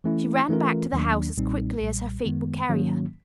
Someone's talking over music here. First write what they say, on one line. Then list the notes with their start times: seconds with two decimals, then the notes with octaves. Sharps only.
She ran back to the house as quickly as her feet would carry her.
0.04 E3 A3 C#4 E4
0.49 E3 A3 C#4 F4 A#4
0.93 D#2 D#3 F#3 A#3 D4
1.37 B1 A#2 G3 C4 D#4
1.81 B1 A#2 G3
2.25 F#2 D#3 G#3 B3
2.69 G#2 D#3 F#3 A#3 C#4